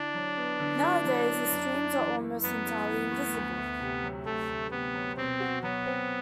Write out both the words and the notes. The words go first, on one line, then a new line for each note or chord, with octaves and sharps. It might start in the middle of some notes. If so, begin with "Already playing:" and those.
Nowadays, the streams are almost entirely invisible.
Already playing: D3 D4 E4
F#3
B3
D3
E4
F#3
B3
F#2
E4
E3
A3
F#2 B3
E4
E3
A3
D2
D2
C3
F#3
D2 A3
D2
C3 B3
F#3
B2 C4
F#4
F#3 B3
C4